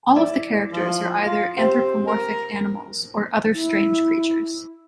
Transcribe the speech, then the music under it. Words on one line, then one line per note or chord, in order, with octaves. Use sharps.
All of the characters are either anthropomorphic animals or other strange creatures.
E4 D5
F3
F4
C4 G4
A#4
E4